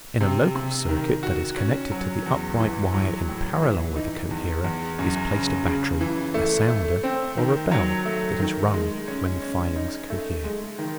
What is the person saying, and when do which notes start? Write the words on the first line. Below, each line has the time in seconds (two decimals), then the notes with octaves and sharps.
In a local circuit that is connected to the upright wire in parallel with the coherer is placed a battery, a sounder, or a bell, that is rung when the filings cohere.
0.21 C3
0.55 C3
0.89 D#3
1.23 F#4
1.57 C#4
1.92 F#3
2.26 E2
2.60 E3
2.94 F#3
3.28 A2
3.62 E3
3.96 D#4
4.31 E2
4.64 E2
4.99 F#2
5.32 C#3
5.66 C#3
6.01 E3
6.34 A3
6.68 A3
7.03 C4
7.37 D#3
7.71 F#3
8.05 A3
8.40 D#3
8.74 G#3
9.08 C#4
9.42 C#4
9.76 D#4
10.10 A3
10.44 G#3
10.79 D#3